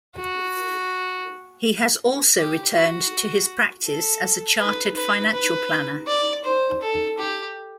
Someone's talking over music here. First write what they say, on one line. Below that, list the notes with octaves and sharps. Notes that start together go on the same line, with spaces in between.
He has also returned to his practice as a chartered financial planner.
F#4
G4
F#4
A4
B4
B4
B4
D5
C5
A4
G4